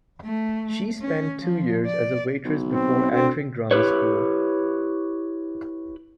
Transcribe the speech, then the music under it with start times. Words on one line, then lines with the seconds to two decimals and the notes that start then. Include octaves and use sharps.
She spent two years as a waitress before entering drama school.
0.24 A3
1.01 C#4
1.41 F3
1.86 D5
2.45 B1
2.65 C4
3.11 D2 C4
3.71 E4 G4 A4 B4 C#5